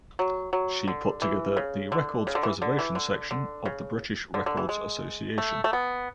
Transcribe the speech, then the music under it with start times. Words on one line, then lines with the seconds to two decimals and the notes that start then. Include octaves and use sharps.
She put together the Records Preservation Section of the British Records Association.
0.19 F#3
0.53 F#3
0.88 D3
1.22 E3
1.57 C#3
1.92 D3
2.27 C#3
2.35 D3
2.43 E3
2.62 D3
2.79 E3
2.95 D3
3.31 D3
3.65 C#3
4.34 D3
4.46 D3
4.57 E3
4.69 G#3
5.38 A3
5.64 A3
5.73 B3